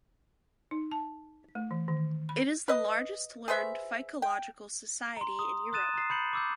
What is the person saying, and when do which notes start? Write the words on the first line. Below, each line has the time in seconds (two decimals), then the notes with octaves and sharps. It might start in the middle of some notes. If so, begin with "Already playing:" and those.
It is the largest learned phycological society in Europe.
0.71 D#4
0.91 A5
1.55 A3
1.71 E3
1.88 D#3
2.29 B5
2.68 B4 D#5
3.48 G#4 B4 C5 E5
4.22 G5
5.17 A#5 C6
5.39 D#6
5.72 C6 D#6 F#6 A6 D#7 E7
5.94 A#5 D#6 C7
6.10 B5 G6 C#7 F#7
6.33 D6 E6 G6